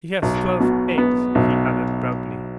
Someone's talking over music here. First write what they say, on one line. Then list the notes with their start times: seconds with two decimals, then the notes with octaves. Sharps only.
"She has twelve eggs," he added proudly.
0.22 B1
0.60 B2
0.98 B3
1.35 B1